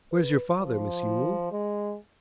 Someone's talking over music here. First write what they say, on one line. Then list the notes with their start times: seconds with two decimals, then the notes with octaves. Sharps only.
'Where's your father, Miss Yule?'
0.12 B4
0.59 F3
1.52 G#3